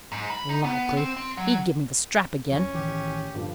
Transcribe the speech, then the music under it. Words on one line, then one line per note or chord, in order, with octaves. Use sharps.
Likely! he'd give me the strap again.
G#2
B5
D#4
B3
C4
C4
F#3
E2 F3 C#4
A1 D#3 E3 G4
G2 D3 F3